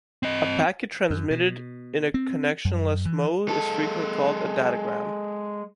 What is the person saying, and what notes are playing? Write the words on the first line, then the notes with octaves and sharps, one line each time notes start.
A packet transmitted in a connectionless mode is frequently called a datagram.
C4 D#5
F#2
B2
C4
F#2
E3
G#3 A4